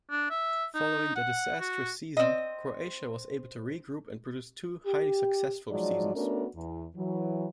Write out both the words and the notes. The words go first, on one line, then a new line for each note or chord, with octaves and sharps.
Following their disastrous season Croatia was able regroup and produce two highly successful seasons.
D4
E5
D#4
F#5
F#4
C4 D#5
G4
F3 F#3 G#3 D#4 D5
A3 B3 C#4 D4 F#4 A#4
E2
E3 F#3